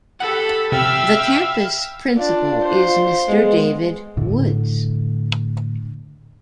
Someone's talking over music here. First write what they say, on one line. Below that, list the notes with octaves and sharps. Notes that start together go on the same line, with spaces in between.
The Campus Principal is Mr David Woods.
G4 A4 F#5 B5
C3 E5 F5 G5 B5 E6
D4 F4
C5
G#3 B3
A2 D3